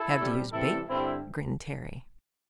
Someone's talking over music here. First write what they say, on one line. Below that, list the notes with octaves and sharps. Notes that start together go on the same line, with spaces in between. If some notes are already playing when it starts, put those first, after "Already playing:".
"Have to use bait," grinned Terry.
Already playing: E4 A4
C3 G3
C3 E3 G3 E4 A4
G2 D3 G3 C4 E4